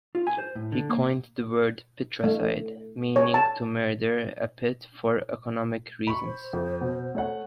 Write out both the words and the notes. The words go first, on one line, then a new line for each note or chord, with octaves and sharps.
He coined the word "Pitracide", meaning "to murder a pit for economic reasons".
F4
G#5
C5
A2
D3
A#3
A3
C#5
A5
B5 C#6
C5
F2
B2
A3 C#5 F#5